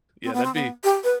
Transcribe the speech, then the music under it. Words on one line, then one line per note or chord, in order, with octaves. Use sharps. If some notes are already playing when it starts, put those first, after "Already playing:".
Yeah, that'd be
C4
B3
C4
B3
G4
B4